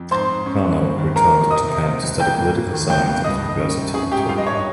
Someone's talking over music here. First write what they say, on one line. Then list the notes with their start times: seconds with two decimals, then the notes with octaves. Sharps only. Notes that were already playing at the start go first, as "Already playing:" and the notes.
Kano returned to Japan to study Political Science at university in Tokyo.
Already playing: F2
0.11 G#2 C5 C6
0.29 G#2
0.46 C#4
0.64 G2
0.80 C4
0.98 D#2
1.16 G#3 A#4 A#5
1.33 D#2
1.51 C3 D#5 D#6
1.68 C3
1.86 C4
2.03 C#2
2.20 A#3 G5 G6
2.38 C#2
2.55 A#3
2.73 D#2
2.90 C#2 G5 G6
3.07 C#2
3.24 G2 D#5 D#6
3.42 G2
3.59 C#4
3.77 C3
3.94 C#4 G#4 G#5
4.11 G#2 G4 G5
4.29 G2 F4 F5
4.38 D#5
4.47 G2 C#5
4.55 D#5